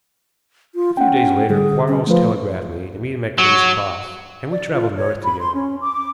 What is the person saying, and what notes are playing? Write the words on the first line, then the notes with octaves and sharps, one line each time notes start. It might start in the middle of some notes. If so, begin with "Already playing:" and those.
A few days later Quarles telegraphed me to meet him at Kings Cross, and we traveled North together.
F4
C#4 F#5 G5
D3 G3 G#4
C#4
F3 A3 B4
F#3
D5
F4
C#5
B5
C6
C#4
D6